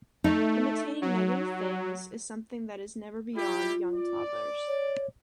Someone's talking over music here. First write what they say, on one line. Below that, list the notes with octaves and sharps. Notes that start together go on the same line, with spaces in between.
Imitating negative things is something that is never beyond young toddlers.
A3 D#4
F#3
G3 E4 F4 G4
D5
C#5